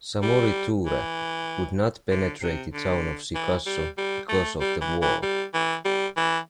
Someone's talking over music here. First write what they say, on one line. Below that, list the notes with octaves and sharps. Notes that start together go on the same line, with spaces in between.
Samori Toure could not penetrate the town of Sikasso because of the wall.
G3
E3
D3
C3
D3
E3
G3
G3
A3
G3
E3
E3
G3
E3
G3
E3